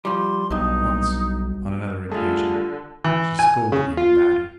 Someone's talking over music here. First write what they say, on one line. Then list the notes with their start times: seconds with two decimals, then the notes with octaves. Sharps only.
Once--on another occasion--she scolded him about it.
0.05 F3 G3 C6
0.50 B1 G2 B2 D#4
2.11 D3 G3 A3 F4 G#4 A5
3.04 E3
3.39 G#5
3.72 C#3
3.97 F4